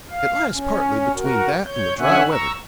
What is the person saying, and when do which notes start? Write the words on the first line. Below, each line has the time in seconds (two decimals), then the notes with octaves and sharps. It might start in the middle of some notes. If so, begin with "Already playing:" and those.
It lies partly between that and the dry weather.
0.10 F5
0.53 C#4
1.15 F#4 A#4
1.65 C#5 G6
1.99 D3 C#4 E5 F#5 G#5 F#6
2.31 A#5 C#6 E6